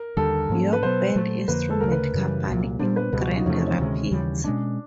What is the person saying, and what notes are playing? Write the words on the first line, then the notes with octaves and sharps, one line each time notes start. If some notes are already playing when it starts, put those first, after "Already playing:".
York Band Instrument Company in Grand Rapids.
Already playing: A#4
D#2 D3 G3 A4
G#2 F3 A#3 C#4
B4
B2 F#3 B3 C5
A#2 F#3 A3
F2 D3 F3 A#3 B4
A4
D2 C#3 F3 A3 A#4
B4
F#2 C#3 E3 G3
C2 A#2 F#3
A#2 G3 B3 D4 C5
B4
C#2 B2 G3 B4
F#4
F4
D#4
E2 C3 F3 A3 C#4
C4
C#4
D2 C3 D#3 G#3
D#2 C#3 E3 G3
B2 G#3 C#4 D4